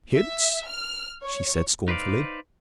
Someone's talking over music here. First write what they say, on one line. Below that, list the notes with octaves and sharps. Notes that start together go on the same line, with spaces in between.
"Hints!" she said, scornfully.
E5
F6
C#5
D#4 B4 C5 D5 F5